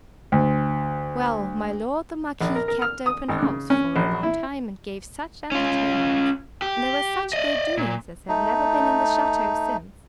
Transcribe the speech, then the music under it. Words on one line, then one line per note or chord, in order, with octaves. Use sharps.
Well! my lord the Marquis kept open house, for a long time, and gave such entertainments and there were such gay doings as have never been in the chateau since.
D2
A#1
A#4
A#4
F6
D#6
G#1
C#3
C#4
A#1
E4
C#4 F4
G4
D5 D#5
A#2
A3 D#4